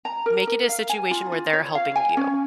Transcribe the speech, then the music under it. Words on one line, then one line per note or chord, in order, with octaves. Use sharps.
make it a situation where they're helping you.
A#5
A#4
A#4
F5
G#5
F4
F4
C#5
F5
G#5
C#4